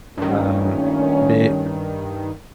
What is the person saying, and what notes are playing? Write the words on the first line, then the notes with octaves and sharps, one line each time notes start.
um, Bi
G2 A#2 D#3 A3 C#4